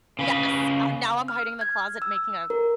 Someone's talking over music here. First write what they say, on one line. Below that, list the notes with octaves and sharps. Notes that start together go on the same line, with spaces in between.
Yes, I'm now I'm hiding in the closet making a
C#3 B4
F6
G#6
E6
A#4